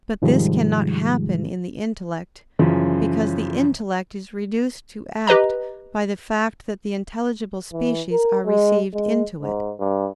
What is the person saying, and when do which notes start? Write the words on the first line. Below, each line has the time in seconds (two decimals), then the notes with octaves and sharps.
But this cannot happen in the intellect, because the intellect is reduced to act by the fact that the intelligible species are received into it.
0.22 G#2 C3 D#3 F3 G3 G#3
2.59 F#2 C#3 E3 F3
5.27 G4 B4 D#5 A#5
7.73 E3
8.11 A#4
8.45 G#3
8.93 G#3
9.42 G#2
9.79 G2